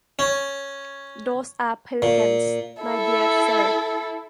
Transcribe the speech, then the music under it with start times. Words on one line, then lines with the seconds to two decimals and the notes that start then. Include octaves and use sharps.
Those are pelicans, my dear sir.
0.19 C#4
2.02 A#2
2.83 E4 A4